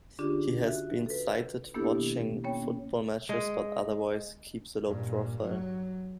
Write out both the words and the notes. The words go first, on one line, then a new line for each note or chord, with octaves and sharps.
He has been sighted watching football matches but otherwise keeps a low profile.
D3 C#4 D4 F4 G4 G#4
F#4 E5
A4 B4
A#3 B3 D4 E4 G4 A4
B2 D#3
A#3 B3 C#4 C#5 G5
G#3
G2 A#2
F#3